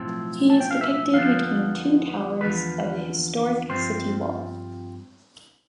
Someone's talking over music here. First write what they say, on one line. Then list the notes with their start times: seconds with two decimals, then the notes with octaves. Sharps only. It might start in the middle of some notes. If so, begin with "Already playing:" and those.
He is depicted between two towers of the historic city wall.
Already playing: B1 A2 F3 C4
0.50 A5
0.60 G5
0.71 F5
0.81 E5
1.14 F2 D3 F3 B3 F5
2.41 E2 D3 F3 B4
3.69 G2 F3 C4 C5